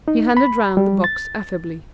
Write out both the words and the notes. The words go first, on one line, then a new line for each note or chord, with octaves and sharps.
He handed round the box affably.
D#4
B5
G3
A6